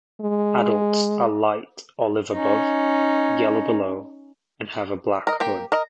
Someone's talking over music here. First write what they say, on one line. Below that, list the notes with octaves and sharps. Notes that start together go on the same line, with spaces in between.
Adults are light olive above, yellow below and have a black hood.
G#3
C#4 D#4
A#4 D#5
A#3 G4 G5
A#4 D#5